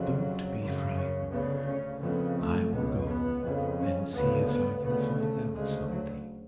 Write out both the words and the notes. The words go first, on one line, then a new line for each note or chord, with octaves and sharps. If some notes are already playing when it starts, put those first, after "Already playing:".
'Don't be frightened; I will go and see if I can find out something.'
Already playing: F2 C#3 F#3
F#2 C#3
C#4
D2 C#3 B3
C#4
F2 C#3 B3
A3
C#2 B2 B3
B3
F2 C#3
C#4
D2 C#3 B3
B3
D2 C#3 B3
A3
D2 C#3 G#3
F#3